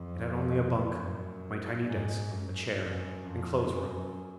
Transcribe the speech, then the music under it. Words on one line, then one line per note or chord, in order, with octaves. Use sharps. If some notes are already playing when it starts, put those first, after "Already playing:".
It had only a bunk, my tiny desk, a chair and clothes robe.
Already playing: F2
F#2
G#2
F#2
F#2
F2
F#2